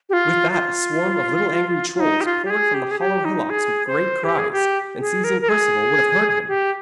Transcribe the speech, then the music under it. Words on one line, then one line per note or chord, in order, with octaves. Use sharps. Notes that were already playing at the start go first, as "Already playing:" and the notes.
With that a swarm of little angry trolls poured from the hollow hillocks with great cries, and seizing Perceval would have hurt him.
G4
F4
F4
F4
D#4
G4
F4
G4
G#4
G4
G#4
G4
D#4
G#4
C5
G4
G#4
G4
G#4
A#4
A#4
G#4
G4